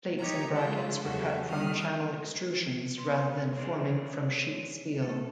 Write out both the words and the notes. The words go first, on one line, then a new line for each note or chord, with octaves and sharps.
Plates and brackets were cut from channel extrusions rather than forming from sheet steel.
D#4 G4 C#5 A#5
C#3 G#3 E4 F4
E2 C#3 F#3 F#4 G4 A4
D#3 G3 D#6 F6 F#6
B3 C6
C#5
C4 D4 G#4
A3 A4